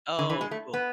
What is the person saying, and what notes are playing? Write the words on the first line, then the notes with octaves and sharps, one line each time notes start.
Oh, cool.
D3
E3
G#3
A3
B3